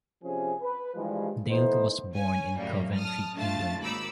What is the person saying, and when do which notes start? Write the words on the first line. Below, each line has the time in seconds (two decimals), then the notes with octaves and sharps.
Dale was born in Coventry, England.
0.23 C3 F3 C#4 G#4
0.61 B4
0.95 G2 E3 F3 G3 G#3
1.49 E3 A3 B3 D#4 E4 C5
2.12 C#4 G#5
2.57 F#2 A2 G3 A#3
2.94 A5 D#6 F6
3.36 A3 D4 F4 A5 A6
3.80 G#1 D#2 D#4 B5 D6 E6